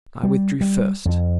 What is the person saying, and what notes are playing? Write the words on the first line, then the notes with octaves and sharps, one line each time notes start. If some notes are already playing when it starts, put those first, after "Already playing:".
I withdrew first.
G3
G3
F2